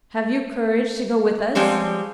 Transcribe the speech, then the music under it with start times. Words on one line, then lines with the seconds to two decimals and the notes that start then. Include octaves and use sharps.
Have you courage to go with us?
1.55 F3 G3 G#3 C4 C#5